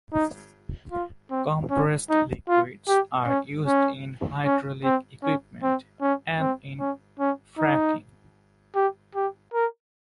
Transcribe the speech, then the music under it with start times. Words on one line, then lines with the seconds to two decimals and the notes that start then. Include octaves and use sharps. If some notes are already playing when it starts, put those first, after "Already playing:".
Compressed liquids are used in hydraulic equipment and in fracking.
0.13 D#4
0.92 F4
1.31 C4
1.70 C#4
2.10 D#4
2.49 F4
2.88 G4
3.27 C#4
3.66 C#4
4.45 C#4
4.84 C4
5.23 C#4
5.63 C4
6.01 C#4
6.40 C4
6.80 C#4
7.19 C#4
7.58 D#4
8.75 G4
9.15 G4
9.54 A#4